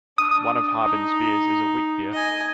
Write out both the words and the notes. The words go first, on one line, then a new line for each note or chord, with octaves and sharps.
One of Harbin's beers is a wheat beer.
D4 D#6
D#4
D#5 G#5